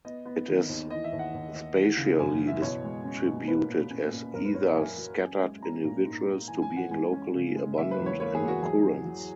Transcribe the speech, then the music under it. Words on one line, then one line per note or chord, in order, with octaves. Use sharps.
It is spatially distributed as either scattered individuals to being locally abundant in occurrence.
B3 D#5
B3
D#3
D#2
E3 D#5
E5
D#2
F#5
D#2
D#2
E3
C#3
F#2 G#5
E3
E5
B2 C#5
G#3
C#4
B2
A#3 B4
A#2
C#4
A#2
F#2 A#4
B4
F#2 C#5
E5
F#2 G#5
F#3
C#4
G#3
C#4 A#5
A#2
G#2
G#2
E3 G#5
G#5
E3
F#5
G#3 G#5
C#4
C#3
G#3
A#3 E5
B4
E2
C#5
A#3 C#5
G#4
E2
F#4
F#3 G#4
F#3
F#3